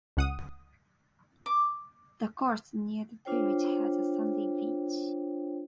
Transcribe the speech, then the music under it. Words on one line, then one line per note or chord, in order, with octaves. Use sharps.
The coast near the village has a sandy beach.
C#2 F#5 D#6
D6
D4 F4 C5 C#5 G5